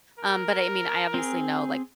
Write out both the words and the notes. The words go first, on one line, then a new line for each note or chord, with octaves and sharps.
Um, but I mean, I obviously know, like,
A#4
C4 G#4